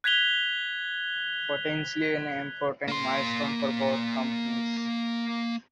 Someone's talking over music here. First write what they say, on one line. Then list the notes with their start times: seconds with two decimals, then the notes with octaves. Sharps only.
Potentially an important milestone for both companies.
0.04 F#6 G#6 B6 F7 G7
2.88 A#3 C6